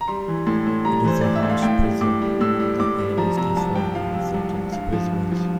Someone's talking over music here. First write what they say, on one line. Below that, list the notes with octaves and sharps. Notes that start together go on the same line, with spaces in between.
It is a harsh prison that handles death row and long-sentence prisoners.
A#5
G3 C6
E3
A2 C6
A2
G3 A#5
E3 C5
A2 D5
E5
A2
F5
A2 G5
G3
A2 D6
G3
A2 E6
G3
A2 D6
G3
F3 A#5
C3 A#5
C2 A5
C2 G5
F3 F5
C3
C2
C2
G2 F5
F3
G2
F3